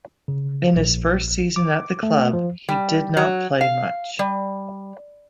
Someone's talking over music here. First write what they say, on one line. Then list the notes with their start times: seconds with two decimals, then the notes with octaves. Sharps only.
In his first season at the club he did not play much.
0.28 C#3
0.76 A#1
1.56 D6
2.03 A3
2.33 F3
2.69 G3
3.17 F#3
3.61 F5
4.19 G3